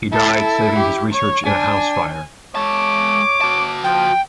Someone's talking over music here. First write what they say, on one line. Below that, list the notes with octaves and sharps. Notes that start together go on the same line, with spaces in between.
He died saving his research in a house fire.
E4 A4
A4
G4
C#5
D4 G#5
G#3 C#5 A5 D6
F#4 A5
F3 G5